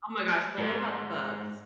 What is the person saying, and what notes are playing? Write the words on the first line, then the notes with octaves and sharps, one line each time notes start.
Oh my gosh, but what about the bugs?
G#2